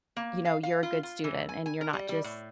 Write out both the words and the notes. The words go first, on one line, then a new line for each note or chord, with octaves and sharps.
you know, you're a good student, and you're not just"
A#3
F5
F5
F4
F4
E3
G#5
G#5
A#4
G3
G3
A2